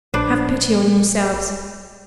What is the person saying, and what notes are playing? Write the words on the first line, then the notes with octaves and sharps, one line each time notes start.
Have pity on yourselves.
A#1 D4 B4 C5